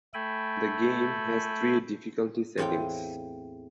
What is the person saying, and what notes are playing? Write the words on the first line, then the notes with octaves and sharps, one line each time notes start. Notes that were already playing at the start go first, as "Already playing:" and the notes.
The game has three difficulty settings.
A3 A4 G5 G#5 B5
E2 A2 C4 F4 C#5 G5